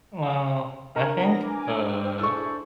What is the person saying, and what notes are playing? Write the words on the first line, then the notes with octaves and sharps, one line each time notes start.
Well, I think, uh,
D4 A#4 C#6 G#6
B3 C4 E4 A#5 A#6
B4 G#5 A#5 D6
C5 G5 D6
E4 G#4 A4 C5 D5 C#6 E6